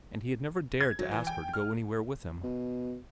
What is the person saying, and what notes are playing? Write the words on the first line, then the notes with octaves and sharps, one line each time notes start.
And he had never dared to ask her to go anywhere with him.
G#6
F#3
E3
G5
F6
B2